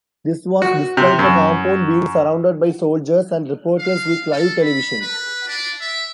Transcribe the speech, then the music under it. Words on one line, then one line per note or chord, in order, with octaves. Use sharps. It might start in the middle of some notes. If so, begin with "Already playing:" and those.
This was despite the compound being surrounded by soldiers and reporters with live television.
F#4
C3
F#2
F5
A4
B5
B4
D4
E5